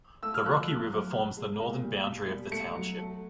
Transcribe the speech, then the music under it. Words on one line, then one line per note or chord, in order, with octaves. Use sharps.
The Rocky River forms the northern boundary of the township.
A3 E6
F6
F3 F#6
A3
F#3
B2
G#3
A#2
G3
B2
G3
A3 C#7
F#3
A3